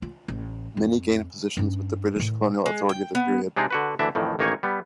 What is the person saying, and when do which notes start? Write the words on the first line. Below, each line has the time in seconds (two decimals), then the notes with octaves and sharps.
Many gained positions with the British colonial authority of the period.
0.02 F4
0.28 A1
0.77 F2
1.57 G2 C#4
2.16 A2 D#3
2.66 G#3
2.89 G5
3.15 B3
3.56 C3 G#3 D4 D#4 G#4
3.70 D3 F#4 B4
3.99 D2 E3 D4 E5
4.15 F2 A2 D#3 E3
4.39 A1 D#3 A#3 D#4 C#5 G#5
4.63 G3 B3